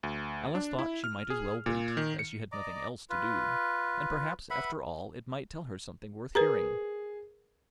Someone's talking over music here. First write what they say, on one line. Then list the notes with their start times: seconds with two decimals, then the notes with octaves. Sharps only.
Alice thought she might as well wait, as she had nothing else to do, and perhaps after all it might tell her something worth hearing.
0.03 D2
0.55 D4
0.79 E4
1.04 F6
1.30 G#4
1.66 A#2
1.97 D#3
2.19 C#7
2.52 D5 D#5 A#5 D6
3.10 F4 B4
4.50 B4 E5 F#5 B5
6.35 G#4 A#4 B4 A#5